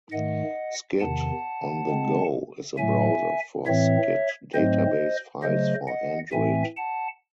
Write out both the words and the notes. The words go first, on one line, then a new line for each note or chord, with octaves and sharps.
Scid on the go is a browser for Scid database files for Android.
G#2 D#3 A3 D#5 F#5
E2 C3 D#3 F#5 A5
C#3 G#3 C4
A2 F#3 A3 E5 G#5
A2 E3 C4 C#5 E5
G#2 F#3 A3 C4 C5 D#5
C#3 F#3 A3 C5 D#5
D#5 F#5
A2 E3 A3 C4 E5 G#5
F#5 A5